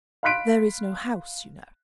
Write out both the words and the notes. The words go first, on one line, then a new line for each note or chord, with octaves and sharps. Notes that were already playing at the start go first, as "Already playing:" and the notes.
"There is no house, you know."
F5 B5 C6 F#6 B6 D7